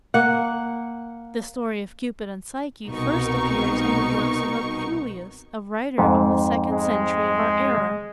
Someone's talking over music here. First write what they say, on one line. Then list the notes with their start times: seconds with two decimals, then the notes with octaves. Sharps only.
The story of Cupid and Psyche first appears in the works of Apuleius, a writer of the second century of our era.
0.14 A#3 F#5
2.87 C2 B2 D#4 A#4 C#6
5.98 F2 G#2
6.70 G#3